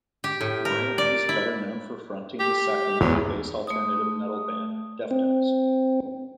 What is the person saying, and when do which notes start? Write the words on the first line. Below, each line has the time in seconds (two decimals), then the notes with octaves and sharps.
Moreno is better known for fronting the Sacramento-based alternative metal band Deftones.
0.24 G4
0.41 A2
0.65 A#4
0.98 D5
1.29 E4
2.40 G4
3.01 E2 F#3
3.67 A3 D#6
5.11 C4